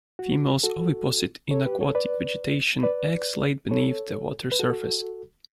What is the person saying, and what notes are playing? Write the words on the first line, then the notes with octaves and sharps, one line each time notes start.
Females oviposit in aquatic vegetation, eggs laid beneath the water surface.
F#4
F#4 A4
A4 C#5
G4 B4
A4 C#5
B4 D5
B4 D5
A4 C#5
B4
F#4 A4